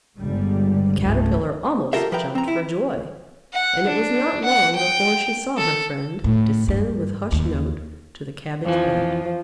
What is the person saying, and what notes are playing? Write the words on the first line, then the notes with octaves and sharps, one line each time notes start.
The Caterpillar almost jumped for joy, and it was not long before she saw her friend descend with hushed note to the cabbage bed.
G1 D3 G3 G#3
F1 C#2 G#2 A3
F4 G4 A4 A#4 E5
F3 B4 E5 G5 A#5
C4 A#5
E4
F#5
D4
F#5
G5
A4
A2
G2
D#2
F2 E3 F3